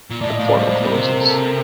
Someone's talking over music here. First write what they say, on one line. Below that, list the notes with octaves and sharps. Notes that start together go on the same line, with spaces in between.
The portal closes.
A#2
A2 D5
D#5
A2 F5
D5
G2 C5
A2
A#2 A#4
C3 C5
A#4
A4
A#4